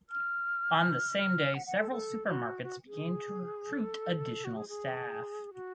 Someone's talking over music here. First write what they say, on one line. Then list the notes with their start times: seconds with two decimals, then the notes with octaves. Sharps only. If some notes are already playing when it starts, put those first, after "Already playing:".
On the same day several supermarkets began to recruit additional staff.
0.10 F6
1.18 F6
1.55 F#5
1.67 F#5
1.79 A4
1.91 A4
2.27 F#4
2.63 F#4
2.87 G#4
3.72 A4
4.45 F#4
4.57 G#4
4.69 G#4
5.54 F#4